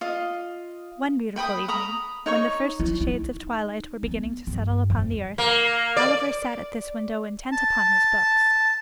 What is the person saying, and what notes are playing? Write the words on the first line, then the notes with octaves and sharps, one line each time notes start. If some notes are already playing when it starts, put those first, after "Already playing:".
One beautiful evening, when the first shades of twilight were beginning to settle upon the earth, Oliver sat at this window, intent upon his books.
F4 D#5
B4 G5 B5 D#6
A#5 B5 D#6
D#4 C#5 C#6
E4
D#4
B3
G2
F2
A#3
D5
A5